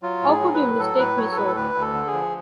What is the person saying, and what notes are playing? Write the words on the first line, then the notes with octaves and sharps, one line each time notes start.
How could you mistake me so?
F#3 F4
A2
G#4
F#3
B4
A2
F#3 A4
A2 B4
F#3 C#5
A4
A2 B4
A4
D2 B4
D2
A4
D3
G#4
F3